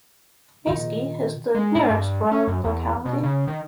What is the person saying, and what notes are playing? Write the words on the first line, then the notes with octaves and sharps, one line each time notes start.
Maysky is the nearest rural locality.
A#2 D#3 F4
G#3
A2
G2
C#4
F#2
E2
B2
C#3
D#3